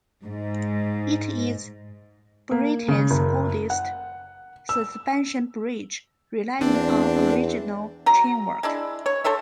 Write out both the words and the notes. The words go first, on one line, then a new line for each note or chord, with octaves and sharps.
It is Britain's oldest suspension bridge relying on original chainwork.
G#2
A#3
C#3
F#1
F#5
E6
E2 C4 D4
F#3 A#5
G#3 D4 E4
C#5
A4 C5 C#5 E5